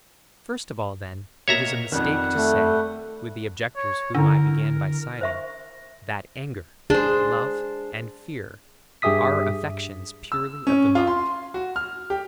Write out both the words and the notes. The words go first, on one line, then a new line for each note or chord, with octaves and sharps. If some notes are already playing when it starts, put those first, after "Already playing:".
First of all, then, it is a mistake to say, with the objectors whom I began by citing, that anger, love and fear are affections purely of the mind.
B2 A#3 C#5 E5 A#5
F2 D#3 G3 F#5
A3
C#5
D3 D4 E4 A#4
C5 E5 C#6
D4 G#4 C5
G2 G4 G#4 E5 D#6 B6
E6
C#4
F4
C6
F#4
F6
G4